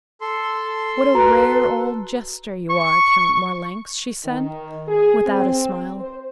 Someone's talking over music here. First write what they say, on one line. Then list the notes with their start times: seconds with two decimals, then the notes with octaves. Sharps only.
"What a rare old jester you are, Count Marlanx," she said without a smile.
0.21 A4 C6
1.14 F#4 B4 A#5
2.70 C#6
4.25 D#3
4.88 G#4
5.27 C4
5.99 C5